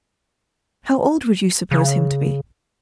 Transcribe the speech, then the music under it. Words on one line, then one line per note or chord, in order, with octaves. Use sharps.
"How old would you suppose him to be?"
C#3